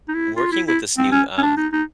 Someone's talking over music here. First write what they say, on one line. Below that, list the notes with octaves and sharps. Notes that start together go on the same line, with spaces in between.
working with this new, um,
D#4
E4
F4
E4
E4
C4
C#4
C#4
D4
D#4
D#4